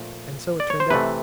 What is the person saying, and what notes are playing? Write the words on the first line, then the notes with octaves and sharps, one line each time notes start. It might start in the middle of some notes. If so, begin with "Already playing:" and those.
And so it turned out.
Already playing: A#2 F3 A3
D5
C#5
C5
C3 E3 A3 B4